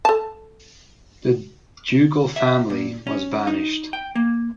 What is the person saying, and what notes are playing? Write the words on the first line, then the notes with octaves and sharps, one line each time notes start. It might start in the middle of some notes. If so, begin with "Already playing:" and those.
The ducal family was banished.
A4 A5
E5
A#2
C#4
D#4
G5
A#3